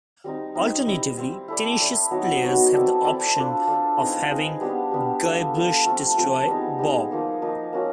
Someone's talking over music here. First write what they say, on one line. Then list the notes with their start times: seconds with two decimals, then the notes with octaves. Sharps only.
Alternatively, tenacious players have the option of having Guybrush destroy Bob.
0.24 G3 C4 D#4
0.55 G3 C4 D#4
0.87 G3 C4 E4
1.17 G3 C4 E4
1.48 E4 A4 D5
1.80 E4 A4 D5
2.11 F#3 B3 D#4
2.43 F#3 B3 D#4
2.73 C4 E4 A4 D5
3.05 C4 E4 A4 D5
3.36 D4 F4 A4 C5
3.67 D4 F4 A4 C5
3.98 C4 D#4 G#4 B4
4.30 C4 D#4 G#4 B4
4.60 G3 B3 D4 G4
4.91 G3 B3 D4 G4
5.23 A3 D4 F4 A4
5.54 A3 D4 F4 A4
5.86 F3 A3 C4 F4
6.17 F3 A3 C4 F4
6.47 G3 B3 D#4 G#4
6.79 G3 B3 D#4 G#4
7.11 F3 A#3 D#4
7.42 F3 A#3 D#4
7.73 A#3 C#4 F#4